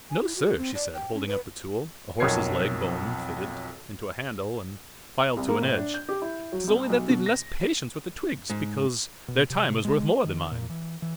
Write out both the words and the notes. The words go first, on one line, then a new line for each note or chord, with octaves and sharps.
"No, sir," she said, holding up the tool--a horse's leg-bone fitted into a handle and filed to an edge--"'tis only that they've less patience with the twigs, because their time is worth more than mine."
G#5
E4
F#4
C4
D5
G5
C#4
B4
B1 F2 A#4 C#5 G#6 C7
C2
A#3
A2
D4
G6
G4
E4
F#3
C2
B1
B2
A#6
G#2
B2
C3
C3
G#3
D#3
A#2
E3
E3